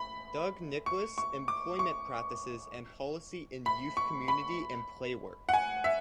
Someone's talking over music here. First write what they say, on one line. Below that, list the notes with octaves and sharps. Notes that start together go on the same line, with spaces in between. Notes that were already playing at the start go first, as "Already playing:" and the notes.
Doug Nicholls: Employment practices and policy in youth, community and playwork.
Already playing: B5
C#6
C#6
D6
C#6
B5
C#6
B5
F#5
G#5
E5